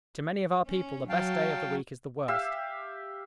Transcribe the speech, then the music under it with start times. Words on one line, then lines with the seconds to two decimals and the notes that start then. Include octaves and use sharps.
To many of our people the best day of the week is the worst.
0.69 C#4
1.09 F#3 F5 G5 A5
2.28 G4 E5 F5 E6